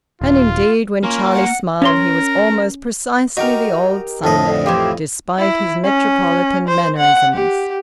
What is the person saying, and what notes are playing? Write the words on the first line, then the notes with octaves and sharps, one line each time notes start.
And indeed, when Charlie smiled, he was almost precisely the old Sunday, despite his metropolitan mannerisms.
D#1 F4
A#3 C#4 F4 A#4
F#5
C#4 A#4 C#5 C6
D#4 F#4 G4 A#4
F2 A2 D#5 A5
E3 E4 F4 G4
E4
C#4
C5
F#5
G4